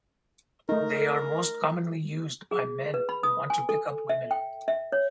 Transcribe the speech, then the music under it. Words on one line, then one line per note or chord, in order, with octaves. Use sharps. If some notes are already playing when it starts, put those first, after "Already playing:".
They are most commonly used by men who want to pick up women.
A3 D#4 A#4
G#4
B4
B5
D#6
G#5
A4
E5
G5
E5
C#5